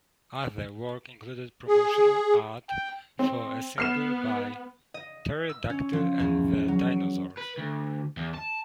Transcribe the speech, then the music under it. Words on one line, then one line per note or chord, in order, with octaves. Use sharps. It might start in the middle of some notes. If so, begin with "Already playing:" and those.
Other work included promotional art for a single by Terry Dactyl and the Dinosaurs.
G#4
G5
C4
B3 F6 C7 E7
D#5
E6
C#4
F3
E2
F#3
B4
D2
E2
A5